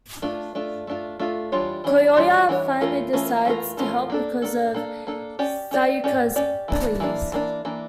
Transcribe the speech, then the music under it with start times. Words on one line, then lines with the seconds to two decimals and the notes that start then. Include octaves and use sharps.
Kyoya finally decides to help because of Sayaka's pleas.
0.22 A3 D4 F4
0.55 A3 D4 F4
0.87 A3 D4 F4
1.19 A3 D4 F4
1.52 E3 G3 D4 F4 C#5
1.84 E3 G3 D4 F4 C#5
2.17 E3 G3 D4 F4 C#5
2.48 E3 G3 D4 F4 C#5
2.81 E3 A3 C#4 F4 A#4
3.13 E3 A3 C#4 F4 A#4
3.45 E3 A3 C#4 F4 A#4
3.77 E3 A3 C#4 F4 A#4
4.10 A#3 D4 A4
4.42 A#3 D4 A4
4.74 A#3 D4 A4
5.07 A#3 D4 A4
5.39 C#4 G4 D5
5.71 C#4 G4 D5
6.04 C#4 G4 D5
6.36 C#4 G4 D5
6.68 E3 A#3 D4
7.00 E3 A#3 D4
7.33 E3 A#3 D4
7.65 E3 A#3 D4